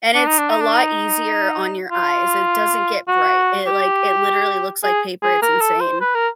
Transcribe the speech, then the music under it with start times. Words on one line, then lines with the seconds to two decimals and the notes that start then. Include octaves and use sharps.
and it's a lot easier on your eyes. It doesn't get bright, it, like, it literally looks like paper, it's insane.
0.15 D4
0.27 D#4
0.39 D4
0.50 D#4
0.61 D4
0.74 D#4
1.91 F4
3.08 F#4
3.67 G4
4.84 G#4
5.23 G#4
5.42 A#4
5.61 A4
5.81 C5
6.01 B4
6.15 A#4